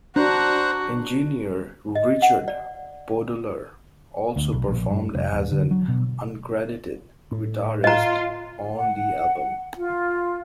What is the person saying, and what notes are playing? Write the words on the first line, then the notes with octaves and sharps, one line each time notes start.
Engineer Richard Podolor also performed as an uncredited guitarist on the album.
D4 F#4 C5 A#5 F#6
D#5
F#5
D5
D2
B1
A#1
G2
F1
D#1
D3
F#3
B2
A2
F4 D#5 A#5
F#5
F4